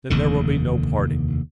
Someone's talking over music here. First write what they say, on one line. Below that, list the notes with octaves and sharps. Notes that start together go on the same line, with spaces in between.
"Then there will be no parting."
F1 D#2 D3